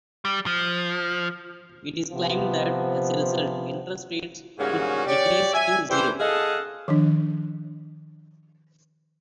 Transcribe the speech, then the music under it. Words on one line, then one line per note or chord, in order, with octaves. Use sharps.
It is claimed that as a result, interest rates could decrease to zero.
G3
F3
C3 F3 B3
G#2 C#3 G3 A#3 C#4 F#4
G4 C#5 D5
E5 G#5
E3 G3 G4 C5
G#4 A4 D#5 F5 F#5 A5
D#3 F3 D4